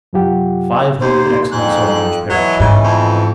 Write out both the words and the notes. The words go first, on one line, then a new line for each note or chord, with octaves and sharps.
Five hundred excellent soldiers perished.
F#2 C3 F#3 F4 G4 F#5
D#2 C5
F2 G#2 F#6
B2 E3 F#3
G#2 C#3
F2